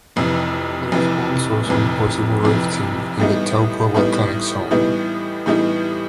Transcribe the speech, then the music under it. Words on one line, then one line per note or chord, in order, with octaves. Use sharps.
There is also some possible rifting in the Taupo Volcanic Zone.
F1 F2 C3 E3
F1 F2 C3 E3
F1 F2 C3 E3
F1 F2 C3 E3
A2 E3 G3 B3 D#4
A2 E3 G3 B3 D#4
A2 E3 G3 B3 D#4
A2 E3 G3 B3 D#4